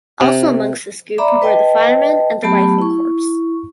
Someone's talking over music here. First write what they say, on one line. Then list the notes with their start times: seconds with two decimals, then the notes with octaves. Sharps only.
Also amongst this group were the firemen, and the rifle corps.
0.21 C3
1.18 D5 E5 A#5 B5 D6
1.42 B4 D#5 G5 A5
2.42 F#3 A3 B3 G4 A5 B5
2.78 E4 C#6